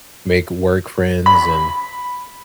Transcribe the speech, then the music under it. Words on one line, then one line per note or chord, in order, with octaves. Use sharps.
make work friends, and
B5